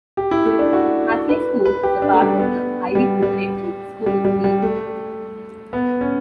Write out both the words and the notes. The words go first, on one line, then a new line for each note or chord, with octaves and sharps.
Hackley School is a part of the Ivy Preparatory School League.
G4
E4
A3
D4
F#4
A4
B4
B4
G4
D4
A3
G3
B3
G3
G3
G3
G3
G3
A3
B3
C#4